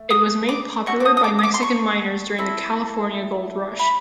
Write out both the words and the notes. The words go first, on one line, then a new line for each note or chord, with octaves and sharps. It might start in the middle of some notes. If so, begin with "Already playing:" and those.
It was made popular by Mexican miners during the California Gold Rush.
Already playing: A3
D#6
D6
C#4 F#4 A4 C#6
D6
D#6
D#6
D6
D#6
D6
C6
C#6
C4 E4 A4
B5